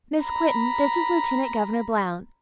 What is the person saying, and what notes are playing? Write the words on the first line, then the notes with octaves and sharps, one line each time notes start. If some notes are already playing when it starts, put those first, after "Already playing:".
Miss Quinton, this is Lieutenant-Governor Blount.
A#5 B5